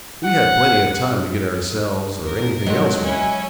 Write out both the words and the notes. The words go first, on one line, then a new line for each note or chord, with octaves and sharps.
We had plenty of time to get ourselves or anything else ready.
F#5
A#4
F#3 G#3 B3 D#5
C#4 E4